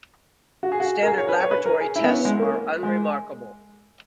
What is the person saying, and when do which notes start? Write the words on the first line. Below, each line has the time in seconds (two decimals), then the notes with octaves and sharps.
Standard laboratory tests are unremarkable.
0.63 F#4
0.72 G#4
0.80 F#4
1.03 A#4
1.07 G#4
1.18 C#5
1.29 B4
1.40 C#5
1.51 B4
1.66 A#4
1.80 G#4
1.96 E4
2.04 B3
2.10 C#4
2.25 G#3
2.40 A#3
2.83 G#3